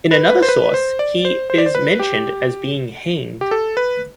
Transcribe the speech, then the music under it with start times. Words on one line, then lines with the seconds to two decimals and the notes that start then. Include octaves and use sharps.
In another source he is mentioned as being hanged.
0.11 B4
0.30 B4
0.43 C5
0.49 B4
0.74 C5
0.99 D5
1.25 C5
1.50 C5
1.58 D5
1.66 C5
1.75 B4
1.99 G4
3.41 G4
3.51 A4
3.77 B4